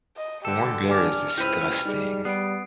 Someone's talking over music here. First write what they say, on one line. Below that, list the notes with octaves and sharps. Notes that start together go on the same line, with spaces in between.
Warm beer is disgusting.
D#5
D3 G4 A4
D4 G4 G#5 D6 F6
C#2 E4 G4 B4 C5 E6
G3 D#4 G#4
G3 B3 C7 D7